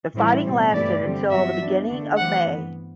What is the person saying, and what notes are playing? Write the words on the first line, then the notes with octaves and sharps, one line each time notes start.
The fighting lasted until the beginning of May.
A2 E3 G3 C4 E4
B2 G3 C4
G2 E3 A3 E4 G4 D5
D3 G3 C4 G4
G2 F#3 B3 F#4 E5
E3 B3 D4
D3 A3 D4
E3 A3 C4 G4 F#5
G2 E3 B3